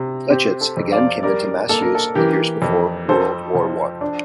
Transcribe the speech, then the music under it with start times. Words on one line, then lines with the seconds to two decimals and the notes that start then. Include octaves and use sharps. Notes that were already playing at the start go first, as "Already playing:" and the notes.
Flechettes again came into mass use in the years before World War One.
Already playing: C3
0.30 C4 G4
0.61 A4
0.77 F2
0.92 D5 F5
1.23 G3 A#4 D5
1.69 A#3 A4
1.82 A#4
1.95 A4
2.15 E3 G4 A#4
2.62 F2
3.09 F3 A4 C5
3.55 F3
4.01 D4